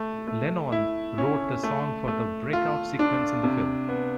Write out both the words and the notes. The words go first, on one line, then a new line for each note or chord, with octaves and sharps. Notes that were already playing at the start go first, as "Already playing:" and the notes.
Lennon wrote the song for the "break-out" sequence in the film.
Already playing: A3
A3
E4
C#4
A3
A3
F4
D4
C3
B3